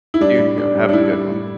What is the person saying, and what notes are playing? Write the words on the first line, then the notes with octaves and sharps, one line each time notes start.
You too, have a good one.
E4
G3 D4
A2
G3 D4
G3
D4
G3 E4
G3
A2